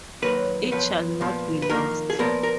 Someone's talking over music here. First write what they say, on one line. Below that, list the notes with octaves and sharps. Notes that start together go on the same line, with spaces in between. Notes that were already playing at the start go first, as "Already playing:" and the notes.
It shall not be lost.
F#2 D#3 F#3 A#3 B4
F#2 F3 B3 B4
A#2 F3 B3
B4
F2 D#3 A#3 A#4
G#4
A#2 F3 B3 A#4
A#4